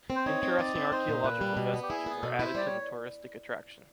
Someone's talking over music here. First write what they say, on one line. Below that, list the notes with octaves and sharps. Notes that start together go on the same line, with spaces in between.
Interesting archeological vestiges are added to the touristic attraction.
C4
C5
D#4 C#5
C4
D#5
D#4 D5
C4
D#4 C5
A#2
A#2 B4
G3
B2
B3
G4
E4 G#4
B3
B2 A4
E4 C5
G3 D5
C#5